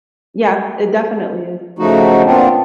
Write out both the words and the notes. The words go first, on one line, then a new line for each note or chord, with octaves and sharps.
Yeah. It definitely is.
C#3 F3 A3 D#4 F#4
A#2 B3 C4 D4 F4